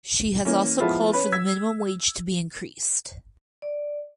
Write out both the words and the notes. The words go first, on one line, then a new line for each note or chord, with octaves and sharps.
She has also called for the minimum wage to be increased.
E3 A#3 C#4
F3 G#3 B3 E4 F4
C#4 B4 C#5
E6 G#6 B6
D5